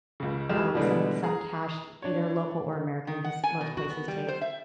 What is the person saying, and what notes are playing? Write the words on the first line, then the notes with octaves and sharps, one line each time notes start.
um, some some cash, l either local or American, 'cause most places take
C#2 C#3
F2 G#3 G4 F6 E7
B2 D3 E3 G3 G#3 B3
G#4 A#5
D4 C#5
D#3
F#5
G#5
B2
F#4
B3
G3
C5
E5